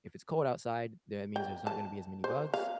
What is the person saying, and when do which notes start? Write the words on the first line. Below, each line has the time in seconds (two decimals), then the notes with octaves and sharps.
if it's cold outside, that means there's not gonna be as many bugs.
1.36 G5
1.67 A5
2.24 C5
2.54 F5